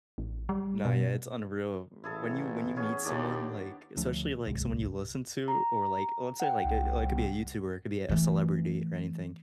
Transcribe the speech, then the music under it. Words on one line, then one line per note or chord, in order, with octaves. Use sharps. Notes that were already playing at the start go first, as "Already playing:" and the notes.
Nah, yeah, it's unreal, w when you when you meet someone, like especially, like, someone you listen to, or, like, let's say, like, eh, like could be a YouTuber, it could be a celebrity or anything.
A1
G3
B2
A1 E4 G#4 A4
B3 C#4 G#4
D#2 D4 G4 D5
D2 F3 A3 C#4
D1 G1 C2 G#3
A#5
F#5 G5
C2
E3 A3